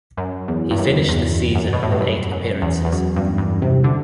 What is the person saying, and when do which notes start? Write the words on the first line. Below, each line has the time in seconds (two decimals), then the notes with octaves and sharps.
He finished the season with eight appearances.
0.17 F#2
0.48 E2
0.70 G2
0.78 F#2
1.08 E2
1.55 F#2
1.73 B2
1.83 A2
1.92 G2
2.01 F#2
2.31 F#2
2.62 E2
2.84 E2
2.92 F#2
3.16 G2
3.38 G2
3.62 C3
3.84 D3